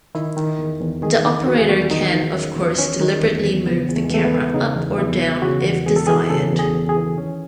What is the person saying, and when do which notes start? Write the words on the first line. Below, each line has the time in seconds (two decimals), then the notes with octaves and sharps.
The operator can of course deliberately move the camera up or down, if desired.
0.15 D#3 E4
0.37 D#3
0.59 E2
0.81 E2
1.02 D#3 G#4
1.25 D#3
1.47 E2 F#4
1.58 G#4
1.69 E2 F#4
1.90 D#3 D#4
2.13 D#3
2.34 E2 C#4
2.56 E2
2.78 D#3 C#4
3.00 D#3
3.23 E2
3.44 E2
3.66 C#3 B3
3.88 E2
3.96 A3
4.04 G#3
4.10 E2 A3
4.25 B3
4.33 E3
4.54 C#3 D#4
4.76 E2
4.98 E2 E4
5.20 E3
5.42 C#3 F#4
5.64 E2
5.86 E2 G#4
5.96 A4
6.07 E3 G#4
6.30 C#3 A4
6.52 E2
6.59 G#4
6.74 E2
6.89 G#4
6.96 E3
7.18 D#3 C#4